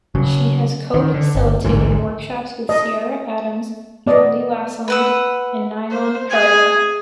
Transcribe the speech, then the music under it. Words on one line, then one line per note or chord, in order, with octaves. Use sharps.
She has co-facilitated workshops with Ciara Adams, Julie Lassonde, and Nilan Perera.
C#3 F#3
D#3
D3
G1
A1 D2 G#2
D#5
B3 D5 D#5
B4 F#5 E6
C5
G#4 G#5 G#6